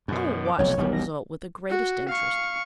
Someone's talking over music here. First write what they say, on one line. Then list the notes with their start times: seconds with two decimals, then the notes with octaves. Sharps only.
I will watch the result with the greatest interest.
0.08 F#2 B2
0.44 D6
0.59 F1 B1 F2 C#5
0.77 E1 B1 G3
0.93 A#6
1.70 F#4
2.09 F5 C#6